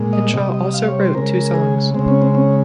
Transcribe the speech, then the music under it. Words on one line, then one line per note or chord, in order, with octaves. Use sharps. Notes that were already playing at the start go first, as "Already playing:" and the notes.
Henshaw also wrote two songs.
Already playing: A#2 G#3
D#5
C3 G3 D#5
D#5
F5
C#5
C5
C#3 G#3 A#4
G#4
C#3 G#3 C4
C#4
C4
C#4